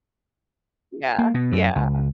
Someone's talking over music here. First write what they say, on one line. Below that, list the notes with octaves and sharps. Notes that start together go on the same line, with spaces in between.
Yeah, yeah.
A#3
B2
F#2
C#2